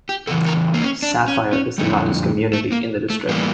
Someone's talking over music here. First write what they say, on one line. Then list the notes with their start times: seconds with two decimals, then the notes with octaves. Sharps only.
Sapphire is the largest community in the district.
0.09 G4
0.27 E2 C#3 E3 A4
0.46 A#4
0.74 A#3
0.84 C#4
1.03 D4
1.28 C#4
1.53 C#4
1.78 F2 D3 G3 A3
2.53 A3
2.72 A#3
3.10 A3
3.29 A2 E3 G3 A#3